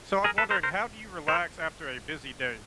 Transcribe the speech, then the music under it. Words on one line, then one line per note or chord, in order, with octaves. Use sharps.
So I was wondering, how do you relax after a busy day?
G#4 A#4
A4 B4
A#4 C5
A#4 C5
A#4 C5